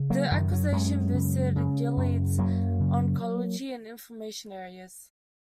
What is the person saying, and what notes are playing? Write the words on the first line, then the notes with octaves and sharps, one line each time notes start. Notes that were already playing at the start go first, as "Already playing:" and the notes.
The acquisition boosted Gilead's oncology and inflammation areas.
Already playing: C#3
F#3 A#3
F#2 D#3
F#3
F#2 G#3 C#4
C#3
C#3
F#2
F#2 F#3 A#3
C#3